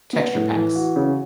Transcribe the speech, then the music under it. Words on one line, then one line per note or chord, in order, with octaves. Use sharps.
texture packs.
B3
A2
E3
F#4
C#3